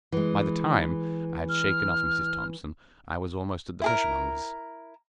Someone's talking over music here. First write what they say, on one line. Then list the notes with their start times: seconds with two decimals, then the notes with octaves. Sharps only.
By the time I had shaken off Mrs. Thompson I was almost at the fishmonger's.
0.12 E3 G#3
1.49 F6
3.82 E4 G#4 A#4